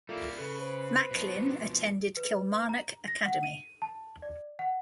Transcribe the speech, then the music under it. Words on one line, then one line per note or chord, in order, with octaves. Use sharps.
Macklin attended Kilmarnock Academy.
G3 A#3 E4 F4 A4 E5
C#3 A4 B4
C5
B2 F3
B4
A#5
A#6
F#5
D#7
A5
D5
F#5